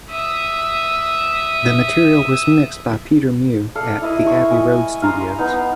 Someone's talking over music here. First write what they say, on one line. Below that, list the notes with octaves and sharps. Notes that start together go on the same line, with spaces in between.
The material was mixed by Peter Mew at the Abbey Road studios.
E5 D#6
A4 D5 F5
E4 D#5
C#6
D#5 G#5
F5 A#5 C6 D#6
B3 D#4